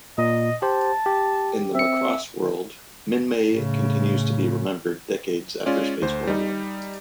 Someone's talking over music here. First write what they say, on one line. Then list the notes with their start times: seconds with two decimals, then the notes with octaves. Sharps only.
In the "Macross" world, Minmay continues to be remembered decades after Space War One.
0.18 A#2 D#5
0.62 G4 C5 A5
1.06 G4
1.75 C4 E5 C#7
3.51 A2 C#3
5.66 G#3 C#4 F4 D5
6.02 D2 C5
6.27 G3 D#4